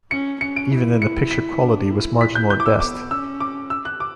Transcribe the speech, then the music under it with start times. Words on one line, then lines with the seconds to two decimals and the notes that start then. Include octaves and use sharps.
Even then, the picture quality was marginal at best.
0.11 C#4 C#7
0.41 C#4 C#7
0.56 D7
0.71 E4
1.02 C#7
1.31 B6
1.61 D4
1.91 E4
2.21 B6
2.35 G6
2.50 G6
2.60 D6
2.66 E6
2.80 B3 D6
3.10 C#4 E6
3.40 D6
3.70 E6
3.85 F#6
4.00 D6